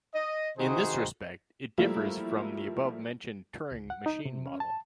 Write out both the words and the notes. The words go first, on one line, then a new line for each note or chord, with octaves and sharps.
In this respect, it differs from the above-mentioned Turing machine model.
D#5
C3 D#3 D#4 F#4 G#4 C5
F3 G3 A3 A#3 E4
C#2
F#5
D#4
C3
C#4
A5